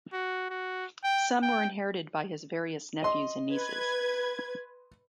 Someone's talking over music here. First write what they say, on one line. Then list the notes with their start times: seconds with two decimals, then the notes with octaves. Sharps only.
Some were inherited by his various nephews and nieces.
0.13 F#4
0.50 F#4
1.04 G5
1.43 G5
3.03 D#5 C6
3.53 B4 G#6